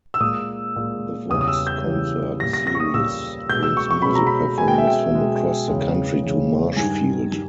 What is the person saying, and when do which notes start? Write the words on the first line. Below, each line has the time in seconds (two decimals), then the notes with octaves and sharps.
The Vox Concert Series brings music performers from across the country to Marshfield.
0.14 E6
0.20 A#2 G#3 D#6
0.76 A#2 G#3
1.30 E2 C#3 E3 G3 D#6
1.41 D#6
1.48 E6
1.67 G6
1.85 E2 C#3 E3 G3
2.40 A#2 G3 A#6
2.53 A#6
2.67 A#6
2.75 C#6
2.80 D#6
2.94 A#2 G3 E6
3.49 B2 G#3 G6
3.63 E6
3.77 C#6
3.91 C#6
4.02 B2 G#3 B5
4.15 A#5
4.27 B5
4.58 B2 G#3 G#5
4.68 G5
4.78 E5
4.87 G5
5.13 B2 G#3
5.68 E2 C#3 E3 G#3
6.22 E2 C#3 E3 G#3
6.77 G2 D#3 G3 G#5
7.33 D#3 G3